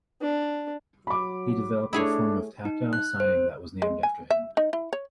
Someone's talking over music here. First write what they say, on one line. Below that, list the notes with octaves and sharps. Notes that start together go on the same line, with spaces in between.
He developed a form of tactile signing that was named after him.
D4
F#3 B5 D6
A3 D4 E4 G#4 C#5
D#4
F#6
C5
G#3
G#5
E5
D#4
E4
C#5